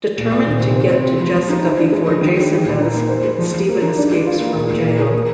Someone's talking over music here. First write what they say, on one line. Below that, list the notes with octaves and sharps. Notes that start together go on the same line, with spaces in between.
Determined to get to Jessica before Jason does, Steven escapes from jail.
A#2
A#2
D#3
C3
C5
C4
G4
F3
F3
D#4
C5
D4
G#3
F3
D#3
D4
G3
A#2
D#4
A#3
C5
G#3
F3
F3
A#3
D#4
D4
G#3
F4
A#3
A#2
A#2
A#3
G#4
A#3